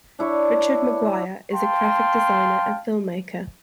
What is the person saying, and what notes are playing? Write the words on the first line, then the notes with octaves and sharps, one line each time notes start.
Richard McGuire is a graphic designer and filmmaker.
D4 E4 C#5
F5 G5 A5 C6